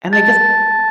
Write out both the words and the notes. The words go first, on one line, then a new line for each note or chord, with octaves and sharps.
And I guess
A5 A6
A5
A5